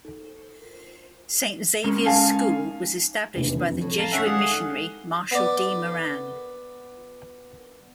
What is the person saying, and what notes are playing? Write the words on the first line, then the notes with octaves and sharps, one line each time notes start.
Saint Xavier's School was established by the Jesuit missionary Marshall D. Moran.
G#3 C#4 A#4
F5 G#5 A5
F1 A#1 E2
F2
A2
F5 A5 A#5
D#3 C#4 E5 F#5
G#3 G#4 D5 F5 F#5
B3 D5